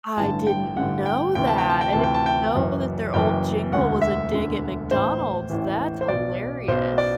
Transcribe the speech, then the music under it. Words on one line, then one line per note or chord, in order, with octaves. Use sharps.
I didn't know that. I didn't know that their old jingle was a dig at McDonald's, that's hilarious.
A1 G2 D3 A5
G5
A1 G2 D3 F#5
G5
D2 C3 E3 G5
A5
G5
A5
G5
D2 C3 E3 A5
G5
A5
G5
F#1 F#2 E3
F#1 F#2 E3 G5
E1 D2 D3 F#5
E5
E1 D2 D3
A1 A2 E3 C5
A1 A2 E3
C5
B1 B2 D5
B1 B2 C5
D5